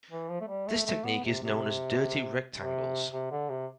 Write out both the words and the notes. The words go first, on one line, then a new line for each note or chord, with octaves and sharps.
This technique is known as dirty rectangles.
E3
F3
A3
G3
A3
A3
B3
C3
C3
C3
C3
D3
C3